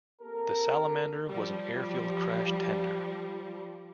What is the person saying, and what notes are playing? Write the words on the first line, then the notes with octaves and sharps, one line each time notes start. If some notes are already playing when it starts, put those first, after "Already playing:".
The Salamander was an airfield crash tender.
A#3 C4 G4 A4 A#4
F3 G3